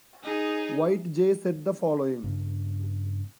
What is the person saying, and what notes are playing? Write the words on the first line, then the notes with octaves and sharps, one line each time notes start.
White J said the following.
D#4 G#4
G2 C#3 B3 D4